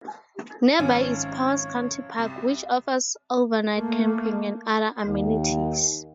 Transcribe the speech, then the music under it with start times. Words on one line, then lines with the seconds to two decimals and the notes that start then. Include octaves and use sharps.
Nearby is Powers County Park, which offers overnight camping and other amenities.
0.80 G#1 F#2 F3 C#4 C#5
2.18 C2
3.75 A3 A#3
5.05 D#2